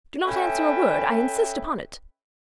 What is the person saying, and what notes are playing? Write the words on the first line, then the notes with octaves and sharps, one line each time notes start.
Do not answer a word; I insist upon it.
C#4 A4 B4 D#5 E5 G5